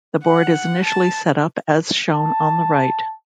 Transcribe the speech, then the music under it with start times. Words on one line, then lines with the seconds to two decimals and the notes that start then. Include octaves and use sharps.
The board is initially set up as shown on the right.
0.24 F#5
0.84 A5
2.14 A5